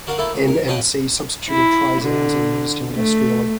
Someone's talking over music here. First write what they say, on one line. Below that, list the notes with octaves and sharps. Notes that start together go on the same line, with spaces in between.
N- and C-substituted triazines are used industrially.
D4 F#4 A#4 F5 F#5
A3 A#3 E4 A4
C#2
A#4
C#4 B4 D#5 F5 G5 A#5
E4
D3
A3